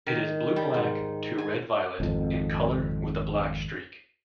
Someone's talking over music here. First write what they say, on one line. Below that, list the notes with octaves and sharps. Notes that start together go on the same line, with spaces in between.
It is blue-black to red-violet in color with a black streak.
D#3
G3
G#2
G#5
G#1 F2